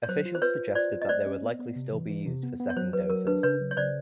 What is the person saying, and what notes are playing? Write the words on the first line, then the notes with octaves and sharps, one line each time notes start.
Officials suggested they would likely still be used for second doses.
C#5
F#3 C5
F4
C5
F4 B4 C#5
F4
F4 C5 D5
F4
D#5
A3 C5 D5
C#4
B3
B3
C3
E3
E3
C3
B3
B3
C#5
F#3 C5
F#3 B4
F#3 A#4
D4 B4
C#3 B4 C#5
F#3
C#5
C#3 C5 D5